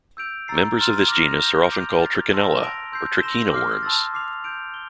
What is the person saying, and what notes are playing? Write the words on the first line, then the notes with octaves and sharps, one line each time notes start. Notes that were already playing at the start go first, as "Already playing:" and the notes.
Members of this genus are often called trichinella or trichina worms.
E6 G6 D7 F7
A#5 E6 A6 C7
C6 F6 A6
D6 F6 A#6 F7
G6 A#6 E7 G7
D6 G6 D7 F7
F6 A6 C7
A5 C6 E6 A#6 E7
E6 A#6 D7 F7
C6 E6 G6 C7
C6 E6 A#6 E7 G7
D6 F6 C7
A5 C6 E6 A6
D6 F6 C7 F7
G6 D7 F7
G7